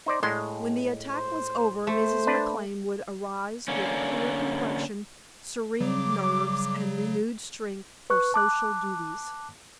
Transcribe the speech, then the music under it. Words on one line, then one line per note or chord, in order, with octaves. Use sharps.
When the attack was over Mrs. McLane would arise with a clear complexion, serene nerves, and renewed strength for social duties.
D#4 C5 D5
A2 G#3 C6
C5
A3 C5
D4 B4
D3 A#3 C#4
C#3 F#3 G3 D6
B4 C#6 F#6
A5 D6 F#6